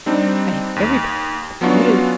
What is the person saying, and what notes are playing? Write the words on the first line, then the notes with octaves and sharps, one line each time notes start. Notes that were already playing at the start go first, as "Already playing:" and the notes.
I hate everybody--but you!
G3 C4 D4 D#4
D#2
F#3 B3 C#4 D4 F4 F#4